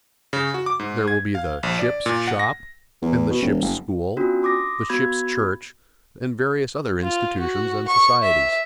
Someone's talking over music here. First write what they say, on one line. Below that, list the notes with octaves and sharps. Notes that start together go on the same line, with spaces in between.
There will be the "Ship's Shop" and the "Ship's School," the "Ship's Church" and various other institutions and societies.
C#3
F#4
D6
G#2
G#6
F5
A#1
D5
A#2
F#5
A#6
E2
B2
E1
F#1
B3 C#4 D4 F4 F#4
C6 D6 D#6 A#6
B3 F#4 B5 G6 G#6
F4
F#4
C#6
E5